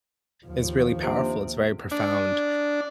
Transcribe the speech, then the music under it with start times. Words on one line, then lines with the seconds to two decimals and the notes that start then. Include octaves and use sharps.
is really powerful, it's very profound,
0.46 D#2 F3
1.03 C3 A#3 D4
1.91 D4